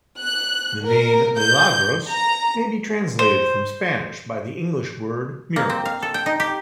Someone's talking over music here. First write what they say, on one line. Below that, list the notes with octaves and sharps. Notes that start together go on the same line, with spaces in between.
The name "Milagros" may be translated from Spanish by the English word, "miracles".
F#6
A#4
G6
A#5
C5
A#3
C4
F5
A4
G5
D#4
G4